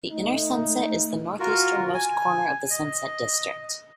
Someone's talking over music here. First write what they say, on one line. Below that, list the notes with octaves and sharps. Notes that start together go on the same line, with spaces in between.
The Inner Sunset is the northeastern-most corner of the Sunset District.
A3 D#4
F4 F#4 A#4
G#5
D#5